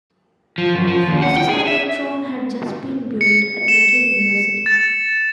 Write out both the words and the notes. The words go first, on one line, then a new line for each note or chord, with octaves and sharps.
Foster cyclotron had just been built at McGill University.
F3
F#2
F3
D#2
F#5
G5
G#4
E5
C#7
E7
A6